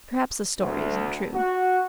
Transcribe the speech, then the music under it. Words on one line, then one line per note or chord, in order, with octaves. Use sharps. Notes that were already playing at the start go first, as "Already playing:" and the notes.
Perhaps the story isn't true.
D2
F#4